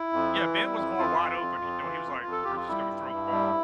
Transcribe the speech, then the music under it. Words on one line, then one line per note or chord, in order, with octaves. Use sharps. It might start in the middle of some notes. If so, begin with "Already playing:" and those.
Yeah, Ben was more wide open, you know, he was like, "We're just gonna throw the ball"
Already playing: E4
F2
E3
G3
F2
F2 F4
F2
F2
F2
E3
F2
F2
A4
F2 G4
F4
G3 E4
G2
G2
G3